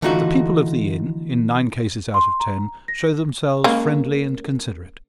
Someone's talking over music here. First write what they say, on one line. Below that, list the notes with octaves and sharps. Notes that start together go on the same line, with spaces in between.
But the people of the inn, in nine cases out of ten, show themselves friendly and considerate.
D3 E3 A3 D#4 F4 F#4
C6
A#5
A#6
C#3 G#3 A#3